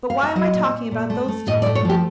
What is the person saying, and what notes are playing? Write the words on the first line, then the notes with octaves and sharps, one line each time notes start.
But why am I talking about those two?
F5
E5
F#3 D#5
A#2
A#2
A#2
A3
A3
A2 D#5
D5
A3
C#5
F3 G4